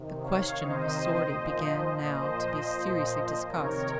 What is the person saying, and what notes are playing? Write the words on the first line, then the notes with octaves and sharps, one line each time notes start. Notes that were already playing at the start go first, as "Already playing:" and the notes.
The question of a sortie began now to be seriously discussed.
Already playing: C3 D#3
C#5 F5
C3 D#3 C5 D#5
A#2 F3
A#2 F3 C5 D#5
A#2 F3
C3 D#3 A#4 C#5